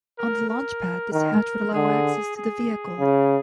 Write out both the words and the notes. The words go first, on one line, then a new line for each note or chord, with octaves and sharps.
On the launch pad this hatch would allow access to the vehicle.
A#4
A#4
D#3 A#4
D3 G#4
G#4
C#3